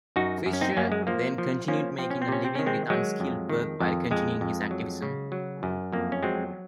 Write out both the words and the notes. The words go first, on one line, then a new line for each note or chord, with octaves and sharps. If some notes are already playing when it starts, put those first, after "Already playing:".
Fischer then continued making a living with unskilled work while continuing his activism.
F#2 D#4 F#4
F#2
C#4
C4 D#4
F#2 A#3 C#4
G#3
F3 A#3
F3
F3 A#3 C#4
F3 C4
C#4
C4
C3 C#4
C4
D#3 C#4
G#3 C4
F#3 G#3
F2
D#3
F2
F2 G#3
F2
F#3
C#3
F#3
F#2
F2 A#3
C#4
F#3 G#3 C4